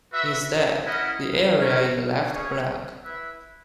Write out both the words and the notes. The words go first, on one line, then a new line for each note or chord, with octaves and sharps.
Instead, the area is left blank.
F#4 B4 E5
C#4 E4 A#4 D#5 F#5
C#4 E4 A#4 C#5
C#4 G#4 C#5
E4 B4 E5